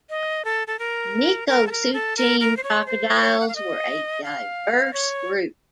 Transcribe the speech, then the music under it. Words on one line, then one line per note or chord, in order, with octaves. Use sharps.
Mekosuchine crocodiles were a diverse group.
D#5
A4
A4
A#4
A#4
A4
A#4
A4
A#4
A#4
C5
C#5
C5
C5
C#5
F#5
F5
D#5
F5
C#5